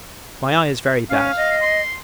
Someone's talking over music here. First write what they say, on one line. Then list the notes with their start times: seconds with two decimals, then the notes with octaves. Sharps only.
My eye is very bad.
1.10 C#4 F5
1.36 D#5
1.62 C6